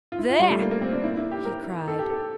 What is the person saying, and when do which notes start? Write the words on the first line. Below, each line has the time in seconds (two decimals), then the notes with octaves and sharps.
"There!" he cried.
0.12 F4
0.19 E4
0.29 F4
0.39 G3
0.50 A3
0.61 A#3
0.71 A#3
0.82 C4
0.92 D4
1.03 E4
1.17 E4
1.31 G4
1.45 A#4
1.88 A4
1.99 G4
2.10 A4